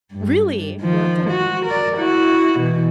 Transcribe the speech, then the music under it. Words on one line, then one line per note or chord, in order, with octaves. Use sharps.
Really? Well, that's not a bad thing to look like.
G2
D#3 F3
F#4
A#4 D5
E4 F#4
B2 E3